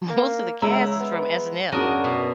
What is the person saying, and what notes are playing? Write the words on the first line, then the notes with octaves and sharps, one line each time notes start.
most of the cast is from SNL.
A#3
C#3 G#3 E4 A#5 E6
B3
F#2 C#3 D4 F#4 A#4 D#6 D#7
B2